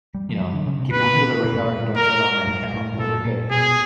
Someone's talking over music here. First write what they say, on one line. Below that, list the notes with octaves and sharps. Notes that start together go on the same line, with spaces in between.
you know, keep it under the radar and don't show it on my account, and we're good."
G3
F3
F#3
D3
C#3
C3
B2 B4
A#2
A2
A#2
A#4
G#2
A2
A2
A#2 A4
A#2
B2 G#4